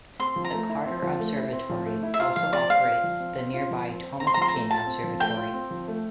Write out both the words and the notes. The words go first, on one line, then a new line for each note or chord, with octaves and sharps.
The Carter Observatory also operates the nearby Thomas King Observatory.
C4 C6
F3
A#5
A3
E4
C4
F3
A3
E4
C4
F3
A3
E4
E5
F4 F5
F3 F5
C4 D5
C5 F5
F4
F3
C4
C5
F4
F3
C4
C5
C4 A#5
C6
A#5
F3 C6
A#5
A3
F4 A5
C4
F3
A3 G5
F4
C4
F3
A3